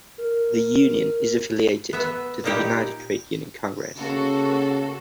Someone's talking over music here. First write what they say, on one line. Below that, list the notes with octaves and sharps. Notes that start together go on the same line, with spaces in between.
The union is affiliated to the United Trade Union Congress.
A#4
B3 E5
A#2 A#3 D#4 E4 G4
C#3 A#3 F#4 A4